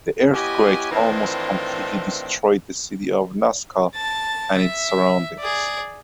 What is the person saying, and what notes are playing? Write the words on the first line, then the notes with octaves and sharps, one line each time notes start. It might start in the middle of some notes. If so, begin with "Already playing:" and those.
The earthquake almost completely destroyed the city of Nasca and its surroundings.
B3 E4 G4 C#5 D#5 G#5
A2 D#3 E3 C4 D4 F4
A5 A6
E5
G#4 D5